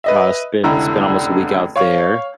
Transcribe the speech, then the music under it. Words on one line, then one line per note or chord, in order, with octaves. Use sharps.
uh, spent spent almost a week out there.
B4 D#5 E5
F1 C#2 D3 E4 A#5
C#5 F5 C#6